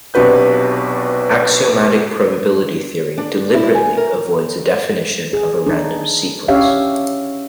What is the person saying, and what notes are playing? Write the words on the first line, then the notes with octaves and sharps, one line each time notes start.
Axiomatic probability theory "deliberately" avoids a definition of a random sequence.
B1 C3 D4 F#4 B4 G6
D4
E4
G#5
A#4
G#4
D4 D#4
C#4 D4 G4 C#5 E5 F5